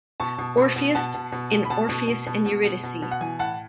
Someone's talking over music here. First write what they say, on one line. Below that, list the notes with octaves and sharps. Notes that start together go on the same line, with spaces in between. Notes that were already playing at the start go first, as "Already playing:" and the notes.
Orpheus in Orpheus and Eurydice.
B2 A5 C#6
B2
B2
B2
B2 F#5 A5
B2
B2
B2
B5
B2 F#5 A5
B2
B2
B2
B2
B2
B2
B2
F#5
E3 G#5
A2 F#5 A5